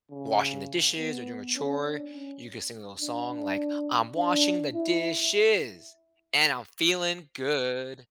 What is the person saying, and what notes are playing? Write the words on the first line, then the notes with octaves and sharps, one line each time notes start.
washing the dishes or doing a chore, you could sing a little song like, "I'm washing the dishes, and I'm feeling good."
C#3
B3
C#4
D4
C#4
D4
D4
D4
E4